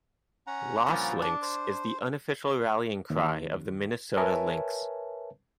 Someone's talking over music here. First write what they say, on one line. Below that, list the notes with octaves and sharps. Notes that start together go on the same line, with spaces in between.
"LosLynx" is the unofficial rallying cry of the Minnesota Lynx.
C#4 F#5 A#5
G2 A#2 F3
D4
C5
D#2
A#4 B4 C#5 E5 G#5 A5